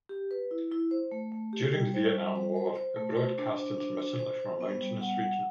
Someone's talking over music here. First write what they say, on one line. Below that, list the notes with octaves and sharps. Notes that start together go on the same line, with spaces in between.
During the Vietnam War it broadcast intermittently from a mountainous region.
G4
B4
E4
E4
C5
A3
A3
G4
G3
C5
G3
C5
C5
C5
A3
C5
D4
C5
D4
C5
C5
C5
B3
G3
F#5
F#5